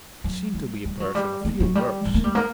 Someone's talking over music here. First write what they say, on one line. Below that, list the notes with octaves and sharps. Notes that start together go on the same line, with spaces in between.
He seemed to be a person of few words.
F#3
G3
G3
F#3
G3
A#3
F#3
G3
G3
A#3
G3
A#3